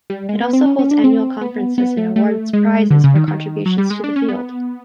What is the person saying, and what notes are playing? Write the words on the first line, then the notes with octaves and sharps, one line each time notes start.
It also holds annual conferences and awards prizes for contributions to the field.
G3
G#3
B3
C4
C#4
C#4
D4
C4
B3
B3
A3
A3
G#3
D3
C#3
D#3
D#3
F#3
G3
G#3
D4
C#4
B3